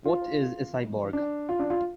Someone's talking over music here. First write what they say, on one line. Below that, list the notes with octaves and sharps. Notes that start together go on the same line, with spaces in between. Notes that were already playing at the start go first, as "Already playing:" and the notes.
What is a cyborg?
F4
D4
F4
D4
F4